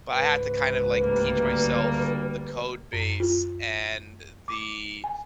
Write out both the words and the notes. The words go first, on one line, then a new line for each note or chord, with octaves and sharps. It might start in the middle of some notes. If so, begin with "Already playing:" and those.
but I had to kinda, like, teach myself the code base and the
C#2 G#2 B4
D2 G3 A#3
F#2
F4
D6
G#5